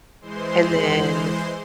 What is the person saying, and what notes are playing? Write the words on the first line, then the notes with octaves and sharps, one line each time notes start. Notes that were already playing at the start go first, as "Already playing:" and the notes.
And then
E3 G#3 C5 C6